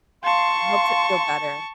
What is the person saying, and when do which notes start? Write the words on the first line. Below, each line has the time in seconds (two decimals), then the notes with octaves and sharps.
helps it feel better.
0.23 F5 A5 C6 C#6